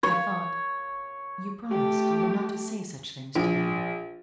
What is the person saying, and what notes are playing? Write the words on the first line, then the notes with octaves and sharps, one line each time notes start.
"I thought--you promised--you were not to say such things today."
C#5
A3 G4
A#1